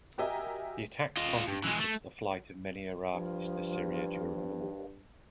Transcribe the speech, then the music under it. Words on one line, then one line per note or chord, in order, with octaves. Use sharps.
The attacks contributed to the flight of many Iraqis to Syria during the war.
F#4 G4 A#4 D#5 E5 G#5
F4 D#5
G2
E3 G#3
A3
G2 F3